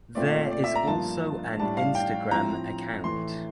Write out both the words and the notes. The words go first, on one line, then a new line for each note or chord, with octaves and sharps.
There is also an Instagram account.
A#2 A3 C4 F4 D5
D5
E5
A#5
G2 F3 A#3 F4 A5
A2 G3 D4 A5
F5
G5
A2 F3 C4 E4 A#5
A2 E3 A3 C6